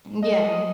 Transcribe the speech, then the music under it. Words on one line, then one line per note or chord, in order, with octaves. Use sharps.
M yeah,
D#5